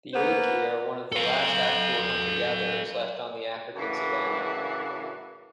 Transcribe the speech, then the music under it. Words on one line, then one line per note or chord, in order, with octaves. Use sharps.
The Akie are one of the last actual hunter-gatherers left on the African savanna.
A#3 B3 C5
A4 F5
F#2 A2 C#3 E3 D4 F#4